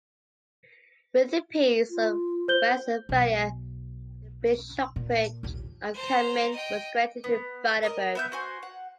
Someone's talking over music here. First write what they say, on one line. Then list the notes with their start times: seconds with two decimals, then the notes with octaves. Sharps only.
With the Peace of Westphalia, the Bishopric of Cammin was granted to Brandenburg.
1.90 F4
2.48 C5 G6 G7
3.09 B1
4.96 A#2
5.43 A#1 D#2
5.94 C5 A#5
6.52 D#5 G5
7.24 B3
7.83 A#4 D5 D#5
8.15 B3 E5 G6
8.32 F#4 C5 G#5
8.63 F#5